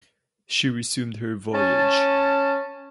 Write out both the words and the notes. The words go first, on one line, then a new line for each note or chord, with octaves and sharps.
She resumed her voyage.
C#4 A5